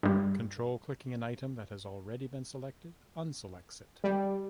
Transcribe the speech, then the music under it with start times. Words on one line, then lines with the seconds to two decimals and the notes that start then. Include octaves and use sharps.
"Control-clicking" an item that has already been selected, unselects it.
0.03 G2 G3
4.04 G3